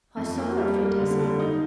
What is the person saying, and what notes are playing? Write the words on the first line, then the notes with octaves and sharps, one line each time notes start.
"I saw her a few days ago."
F2
A#3
G3
A#3
D3
D3
D#4